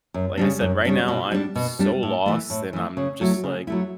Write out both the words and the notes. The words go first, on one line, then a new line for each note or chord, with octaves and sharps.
like I said, right now, I'm so lost, and I'm just, like,
F#2
C#3 G3 D4
F#2
C#3 G3 D4
B2
G3 D4
B2
G3 D4
A2
E3 A3
A2
E3 A3
C#3
F#3 A3 E4
C#3
F#3 A3 E4